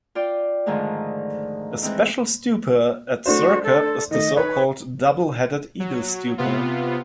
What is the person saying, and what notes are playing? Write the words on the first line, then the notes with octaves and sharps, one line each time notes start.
A special Stupa at Sirkap is the so-called 'Double-Headed Eagle Stupa'.
F4 D5 G5
G#2 D3 D#3 F3 G#3 A3
E3 G#3 C4 D#4 E4
A3 D4 F#4 C5
A4
D#3 A3 D#5
D#4 B4 C#5
F#3
C3 B3 F4